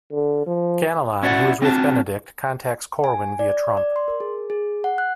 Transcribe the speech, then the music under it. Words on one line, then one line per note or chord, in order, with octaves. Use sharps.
Ganelon, who is with Benedict, contacts Corwin via Trump.
D3
F3
C#4 E4 F#4 D5 F#5
C4 D4 F#4 A5
G#5
D5
D5
C6
A#4
G#4
G#4
F#5
F#6